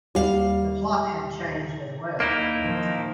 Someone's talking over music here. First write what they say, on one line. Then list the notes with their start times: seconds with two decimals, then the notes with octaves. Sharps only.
The plot had changed as well.
0.15 D#2 G3 F5
2.20 D#2 A#3 D#4 E4
2.62 D#3 F3